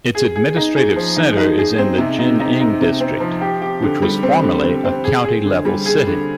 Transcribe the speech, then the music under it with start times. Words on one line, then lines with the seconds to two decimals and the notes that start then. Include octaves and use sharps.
Its administrative centre is in Jining District, which was formerly a county-level city.
0.15 G#4
0.36 G#4
0.56 D#4
0.76 G#4
0.96 F3
1.16 D#4
1.37 D#4
1.58 G#4
1.78 C4
1.98 C3
2.19 D#4
2.40 D#4
2.60 D#4
2.81 C3
3.00 C4
3.20 F3
3.41 G4
3.62 G4
3.82 D3
4.02 G3
4.23 C4
4.43 D3
4.64 C4
4.85 C4
5.04 G#4
5.25 G#4
5.45 D3
5.65 G3
5.86 G#4
6.07 D3